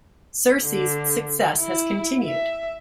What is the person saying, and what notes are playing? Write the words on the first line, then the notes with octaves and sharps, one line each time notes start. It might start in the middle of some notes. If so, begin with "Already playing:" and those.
"Serse"'s success has continued.
D3
E4
E5